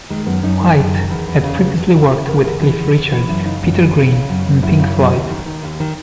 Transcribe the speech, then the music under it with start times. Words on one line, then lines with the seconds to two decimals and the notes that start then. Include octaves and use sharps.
White had previously worked with Cliff Richard, Peter Green and Pink Floyd.
0.10 D#3 G#3
0.26 F#2 B3
0.43 F#2 D#4
0.60 D#3
0.77 F#2
0.94 D#3
1.11 E2
1.28 E2
1.43 C#3
1.61 E2
1.77 E2
1.94 C#3
2.11 C#3 E4
2.27 E2 A#4
2.44 E2 A#4
2.61 E3 G#4
2.79 E2
2.95 E2
3.12 E3 F#4
3.28 F#2 E4
3.45 C#3 D#4
3.62 F#2
3.79 E3
3.95 C#3
4.12 C#3
4.29 F#2
4.46 F#2
4.63 F#2 E4
4.79 C#3
4.96 F#2
5.12 D#2
5.30 D#3
5.46 D#3
5.63 D#2
5.80 D#3